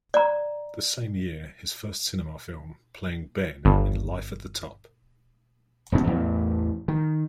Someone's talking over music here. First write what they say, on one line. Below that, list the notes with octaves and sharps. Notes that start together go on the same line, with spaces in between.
The same year, his first cinema film, playing Ben in "Life at the Top".
D5 A#5
G1
E1 D2 B2 C#4
A1 E2 E3
D#3